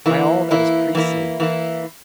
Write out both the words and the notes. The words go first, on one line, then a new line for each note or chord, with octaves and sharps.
By all that is priestly!
E3 A#3 E4
E3 A#3 E4
E3 A#3 E4
E3 A#3 E4